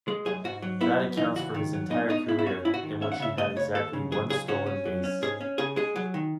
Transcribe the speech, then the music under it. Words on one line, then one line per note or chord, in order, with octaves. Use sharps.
That accounts for his entire career, in which he had exactly one stolen base.
G#3
F#2 G#4
G#2 F#4
F#3
B3 E4
F#2
E3 D#4
C#2 F#4
D#3
F#3
B2 D#4
B2 D#4
B2 E4
E4
C#4 F#4
G#2 E4
F#4
D#3
C#4 E5
F#5
C#3 E5
A3 D#5
C#2 C#5
D#2 A4
C#3
F#3 G#4
C#2 G#4
C#4 F#4
C#4
F#3
C#4
G#2 G#4
C#4
C#3 G#4
G#3 G#4
F#3
D#3